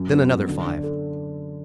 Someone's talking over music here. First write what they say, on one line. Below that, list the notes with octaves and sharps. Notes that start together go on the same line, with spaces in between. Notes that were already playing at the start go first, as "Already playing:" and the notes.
Then another five.
Already playing: F#2
B3
F#4
D3
D4
A4